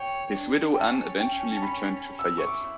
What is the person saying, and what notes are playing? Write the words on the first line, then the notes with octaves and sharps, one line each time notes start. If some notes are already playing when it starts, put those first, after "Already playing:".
His widow Ann eventually returned to Fayette.
Already playing: C#5 G5
D4
G5
C#4 A5
G5
A5
B5
E6
C#6
E4 D6